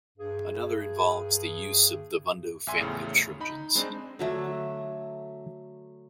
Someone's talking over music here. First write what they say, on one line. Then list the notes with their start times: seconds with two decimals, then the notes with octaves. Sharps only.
Another involves the use of the Vundo family of trojans.
0.18 G2 G#4
2.67 A#1 E5 G#5 C6
2.81 E2 A2 C#3
3.40 D#4 B5
3.75 G#3 C4 D4 D#4
4.19 D3 F#3 A3